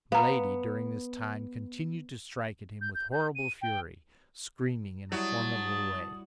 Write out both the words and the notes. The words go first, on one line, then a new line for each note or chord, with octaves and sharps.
Milady during this time continued to strike at him with horrible fury, screaming in a formidable way.
B3 F5 A#5
G6
G6
G6
D#7
G5
F#3 G3 E4 A5 D#6